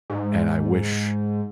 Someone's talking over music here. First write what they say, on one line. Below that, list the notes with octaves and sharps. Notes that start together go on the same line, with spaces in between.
and I wish
G#2